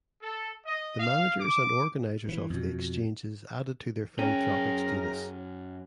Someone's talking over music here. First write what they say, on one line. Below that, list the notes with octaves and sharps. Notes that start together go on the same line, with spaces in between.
The managers and organizers of the exchanges added to their philanthropic status.
A4
D#5
F5
D6
E3
F2 B2
F#2 C#4 G#4 A#4 G5